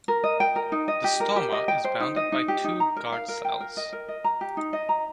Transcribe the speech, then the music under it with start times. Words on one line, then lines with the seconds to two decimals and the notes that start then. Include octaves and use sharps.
The stoma is bounded by two guard cells.
0.08 A#4
0.24 D#5
0.40 G5
0.56 A#4
0.72 D#4
0.88 D#5
1.04 G4
1.20 A#4
1.36 G4
1.52 D#5
1.68 G5
1.84 C5
2.00 D#4
2.16 D#5
2.32 D#4
2.48 G4
2.64 D#4
2.80 A#5
2.96 A#4
3.12 F5
3.28 A#4
3.45 G5
3.60 A#4
3.77 D#5
3.93 A#4
4.08 D#5
4.24 A#5
4.41 G4
4.57 D#4
4.73 D#5
4.89 A#5